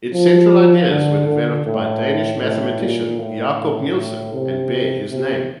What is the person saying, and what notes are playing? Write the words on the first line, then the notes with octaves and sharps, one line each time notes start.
Its central ideas were developed by Danish mathematician Jakob Nielsen, and bear his name.
F3
D3
D3
A2
A2
A#2
A2
A2
C3
C3